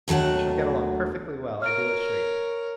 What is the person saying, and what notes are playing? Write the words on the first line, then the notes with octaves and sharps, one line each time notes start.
We shall get along perfectly well, I do assure you.
D#2 F#3 A3 D4 F#5
A#4 C#5 F6 D7